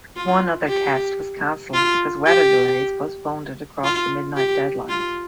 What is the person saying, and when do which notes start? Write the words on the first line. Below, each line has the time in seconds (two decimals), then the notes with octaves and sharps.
One other test was cancelled because weather delays postponed it across the midnight deadline.
0.16 F4
0.68 G4
1.74 F4
2.26 G4
3.84 F4
4.36 G4
4.89 F4